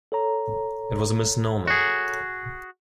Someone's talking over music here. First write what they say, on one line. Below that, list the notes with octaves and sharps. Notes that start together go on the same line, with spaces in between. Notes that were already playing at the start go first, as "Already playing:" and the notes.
It was a misnomer.
A4 C#5 A#5
F#4 G#4